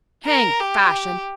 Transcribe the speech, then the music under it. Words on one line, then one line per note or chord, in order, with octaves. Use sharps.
'Hang fashion!
A#4
G4